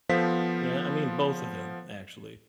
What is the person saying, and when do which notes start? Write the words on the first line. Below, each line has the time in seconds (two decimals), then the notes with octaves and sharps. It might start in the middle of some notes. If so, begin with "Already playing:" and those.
Yeah, I mean both of them actually.
0.09 F3 B3 A4 C5 F5 B6